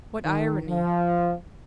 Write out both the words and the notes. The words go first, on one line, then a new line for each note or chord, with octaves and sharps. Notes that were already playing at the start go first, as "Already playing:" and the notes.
What irony!
D#3
F3